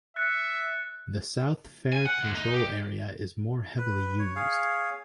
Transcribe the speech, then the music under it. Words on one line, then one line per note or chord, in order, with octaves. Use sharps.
The south fare control area is more heavily used.
E5 F#6 A6 C#7
G#5
F#5
D2
D#4
G4
B4
C#5
G#4 C#5 F5